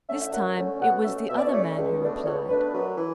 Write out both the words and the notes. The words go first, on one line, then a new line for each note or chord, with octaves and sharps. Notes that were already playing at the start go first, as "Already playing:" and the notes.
This time it was the other man who replied.
D3 A3 C#4 E5
E5
F#2 F#5
D3 A3 C#4
B2 F#5
A3 C#4 E5
B2 E5
D5
C#5
A3 C#4 D5
C#2
B2 A3 D4
C#2 C#5
B2 A3 D4 B4
F#2
E3